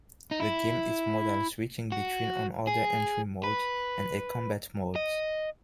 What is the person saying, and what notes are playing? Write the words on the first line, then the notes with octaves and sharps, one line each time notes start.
The game is modal, switching between an order entry mode and a combat mode.
D#4
E4
F#4
G#4
B4
D#5